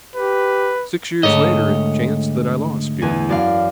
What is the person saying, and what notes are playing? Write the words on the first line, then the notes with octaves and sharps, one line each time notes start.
Six years later it chanced that I lost Jim.
G4 B4
D2 G#2 A4 C#5 D#5 E7
E2 G#5
F#2 D5 F5